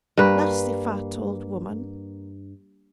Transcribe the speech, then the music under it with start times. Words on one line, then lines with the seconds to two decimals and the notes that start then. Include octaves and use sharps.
Nasty fat old woman!
0.17 G2 A#3 B4